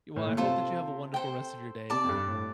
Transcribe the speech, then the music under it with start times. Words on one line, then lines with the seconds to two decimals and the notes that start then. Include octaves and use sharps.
Y well, I hope that you have a wonderful rest of your day.
0.16 A2
0.27 A#2
0.37 C3 F4 A4 C5
1.14 A4 C5 G5
1.90 C3 D5 A5 D6
2.03 F2
2.09 G2
2.28 A2